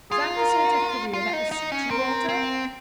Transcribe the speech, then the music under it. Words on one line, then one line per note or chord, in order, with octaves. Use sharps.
Is that the sort of career that will suit you, Walter?
F4 G#4
A#4
F4
D#4
D#4
C#4
C4 A#4
C5
A#4
C4